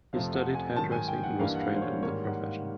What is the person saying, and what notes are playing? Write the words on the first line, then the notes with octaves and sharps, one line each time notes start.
He studied hairdressing and was trained in the profession.
F2 C3 F3 A3 F5
F#5
G#5
G#2 D#3 F#3 A5
G#5
G5
F#5
G2 E3 G3 A#3 F5
F#5
F5
C5
C#5
G#2 D#3 G3 A#3 C#5
F#5
F5